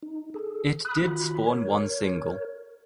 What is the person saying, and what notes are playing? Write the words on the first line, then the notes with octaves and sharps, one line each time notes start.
It did spawn one single.
D#4
G#4 A4
B5 D#6 F#6
D#3 F4 F#4 B5
A#4 C#5